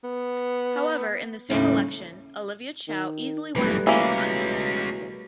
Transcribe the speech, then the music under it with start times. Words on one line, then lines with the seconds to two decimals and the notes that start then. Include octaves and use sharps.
However, in the same election Olivia Chow easily won a seat on city council.
0.04 B3
1.50 D#2 A2 C#3 G3
2.88 D#3
3.56 E1 F#2 E3 G3 A3 B4
3.87 B2 E3 G#3 A#3 C#4